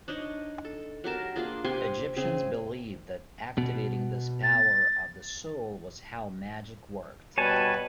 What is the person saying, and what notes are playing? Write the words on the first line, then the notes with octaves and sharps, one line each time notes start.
Egyptians believed that activating this power of the soul was how magic worked.
D4 D#4 C#5 D#5
A4
F#3 G4 A#4 A5
A#3 D4 F4 G#4
C3 G4 G#5 C6
C#3 C4 G#4 G#5
B2
A6
B2 G3 B4 C#5 G#5 A5